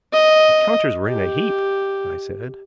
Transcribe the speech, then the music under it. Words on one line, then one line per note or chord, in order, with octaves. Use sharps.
"The counters were in a heap," I said.
D#5
G4